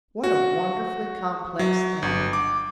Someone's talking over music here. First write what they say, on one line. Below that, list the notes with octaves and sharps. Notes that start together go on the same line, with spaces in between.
What a wonderfully complex thing!
F#4
F#3
G1
D6